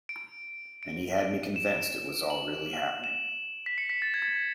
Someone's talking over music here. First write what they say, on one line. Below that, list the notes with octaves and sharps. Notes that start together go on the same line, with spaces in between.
And he had me convinced it was all really happening.
D7
D7
E7
F#7
E7
B6
C#7
B6
A6
G#6